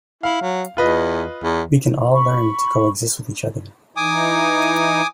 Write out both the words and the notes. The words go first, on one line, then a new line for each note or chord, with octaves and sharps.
We can all learn to coexist with each other.
E4 F5
F#3
E2 F4 B4 D#5
E2
B5 C#6
E3 D#4 G#5 D6 D#6